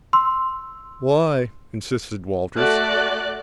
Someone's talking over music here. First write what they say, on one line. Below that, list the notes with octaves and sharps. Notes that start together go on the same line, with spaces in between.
"Why?" insisted Walters.
C6 E6
A3 F#4 D5 F#6